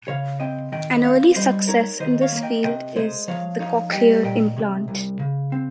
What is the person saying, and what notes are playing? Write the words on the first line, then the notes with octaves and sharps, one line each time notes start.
An early success in this field is the "cochlear implant".
C#3 C#5 F5
C4 D#5 G5
D#3 D#5 G5
C4 C#5 F5
G3 C5 D#5
D#4 A#4 C#5
D#3 C5 D#5
C#5 F5
A#3
D#5 G5
C3 D#5 G5
G#3 C5 D#5
F3 C#5 F5
D#4 C#5 F5
G3 D#5 G5
A#2 D#5 G5
C3
C2
C#3
C4